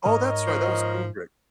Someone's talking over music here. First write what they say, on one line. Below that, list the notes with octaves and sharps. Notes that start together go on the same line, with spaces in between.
Oh, that's right, that was Kubrick.
G#2 A#4 C#5 D#5
F3